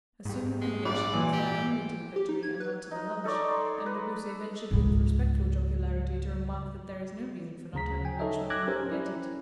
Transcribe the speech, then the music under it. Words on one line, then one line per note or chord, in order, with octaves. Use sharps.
Assuming the negation to refer only to the victory and not to the lunch, M. de Beausset ventured with respectful jocularity to remark that there is no reason for not having lunch when one can get it.
G#2 G3
G#3
A#1 D5
A#2 E3
G4
G4
D#4
G#6
B4
D#4
D#4 A4 C#5 D5
C6
B4
C#2 G#2
D2 C#3 A#5 B6
G5 G#5
D#4 A4 C#5 D#5 E5
D6 E6 F#6 G#6 A#6
C#4 G4 A#4 C5
C#4 E4